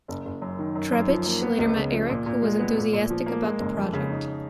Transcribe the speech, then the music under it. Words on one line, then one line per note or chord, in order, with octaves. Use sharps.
Trebitsch later met Erich, who was enthusiastic about the project.
F#1
F#1
F#2
D#3
F#2
F#2
F3
A#3
B3
C#2
C#3
F3
A#2
A#2
G#3
B3
A#2
A#2
F3
A#3
G#3
F#1
F2
C#3
D#4